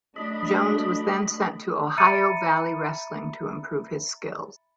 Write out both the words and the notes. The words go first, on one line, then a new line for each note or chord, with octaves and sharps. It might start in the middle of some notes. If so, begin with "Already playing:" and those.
Jones was then sent to Ohio Valley Wrestling to improve his skills.
F#3 A3 D4 D#5 B5
E5 A#5 B5 A6 C#7 D#7